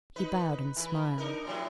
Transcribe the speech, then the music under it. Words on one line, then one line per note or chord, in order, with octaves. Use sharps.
He bowed and smiled.
D#4 B4
E3 B4
D4 D#4 A#4
A2 C3 F#3